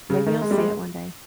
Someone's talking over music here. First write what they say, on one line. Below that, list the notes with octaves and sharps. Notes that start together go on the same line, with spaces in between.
Maybe you'll see it one day.
C#3
D#3
G#3
G3
G#3